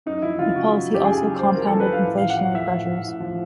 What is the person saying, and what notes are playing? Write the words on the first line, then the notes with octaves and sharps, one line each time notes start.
The policy also compounded inflationary pressures.
F#2 D#4
F3 E4
C#3 F4
C#3 F#4
F#2
F#2
G4
C#3 G#4
F#2
F#2 C5
F3 A#4
F#2 A4
B4
F#2 F5
A2
F3 F5
F#5
A2
F3 E5
A2
A2
A2
F3